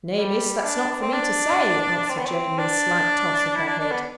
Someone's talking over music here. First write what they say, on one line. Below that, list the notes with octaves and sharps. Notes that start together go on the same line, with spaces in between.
'Nay, miss, that's not for me to say,' answered Jane, with a slight toss of her head.
G3
D4
C4
D4
C4
B3
C4
D4
E4
D4
D4
B3